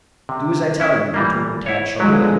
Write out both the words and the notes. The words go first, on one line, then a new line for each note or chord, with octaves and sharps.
"Do as I tell you," retorted Tad sharply.
C3
C#4 E4
E3 G3 A#3
E4 C#5
D3 F3 F#3 G#3 E4